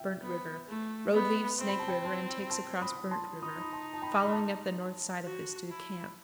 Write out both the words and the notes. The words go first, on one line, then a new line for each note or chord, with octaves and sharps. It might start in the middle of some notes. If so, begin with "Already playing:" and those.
Burnt River.--Road leaves Snake River, and takes across Burnt River, following up the north side of this to the camp.
Already playing: E5 G5
B3
A3
B3
C4 C6
B5
A5
G5 B5
A5 C6
A5 C6
B5 D#6
A5 C6
D#4 B5 D#6
B5
A5 C6
A5
G5 B5
B5
A5 C6
F#4
E4